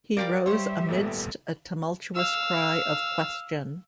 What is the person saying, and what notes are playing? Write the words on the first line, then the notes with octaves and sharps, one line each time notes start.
He rose 'amidst a tumultuous cry of Question!
G3 G4 A#4 D5 F5
G3 G4 C5 C#5 E5 C6
G#1 A#2 A3 B3 A4
F5 E6